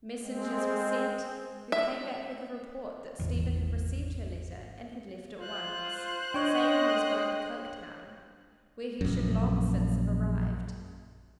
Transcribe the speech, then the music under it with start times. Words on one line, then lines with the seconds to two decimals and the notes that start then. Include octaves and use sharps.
Messengers were sent, who came back with the report that Stephen had received her letter and had left at once, saying he was going to Coketown, where he should long since have arrived.
0.25 G#3 C4
1.72 E5
3.19 G#1 E2
5.40 F4 C5 F#6
6.34 D4 C#5 D#5 G5
9.01 A#1 F#2